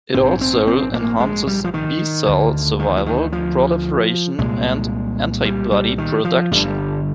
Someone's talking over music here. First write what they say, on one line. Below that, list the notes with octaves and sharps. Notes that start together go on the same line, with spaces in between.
It also enhances B cell survival, proliferation, and antibody production.
A#1 G#2 C4
C4
C4
A#3
G#3
G3
F3
D#3
D2 D3
D#3
F3
D#3
F3
C2 A#2 G#3
G3
G3
D#3
F3
G1 G2 D3 G3